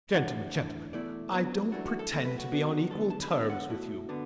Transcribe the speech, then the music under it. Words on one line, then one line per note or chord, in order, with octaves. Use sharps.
Gentlemen, gentlemen, I don't pretend to be on equal terms with you.
A2 E3 D4 F#5
A2 E3 D4
E2 B2 A3 E4 D5
F#2 F#3 B3 D4 B4
F#2 E3 A3 D4 F#4
F#4
A4
E2 B2 F#3 A3 A4
B4
F#4
F#2 F#3 B3 D4
F#2 D3 B3 A4
A5
B5
D3 B3 D4 A5
F#5
B2 A3 E4 F#4
D3 B3 D4